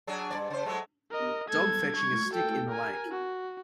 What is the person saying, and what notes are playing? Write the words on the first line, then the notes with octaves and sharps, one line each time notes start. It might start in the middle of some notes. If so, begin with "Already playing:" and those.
Dog fetching a stick in the lake.
F#3 D4 G#4
G2 B2 D5
C#3 C5
F#3 G#3 A3
A#4 D#5
A4 G#6
C#6 G#6
A4 G5
A#4 G#5
F#4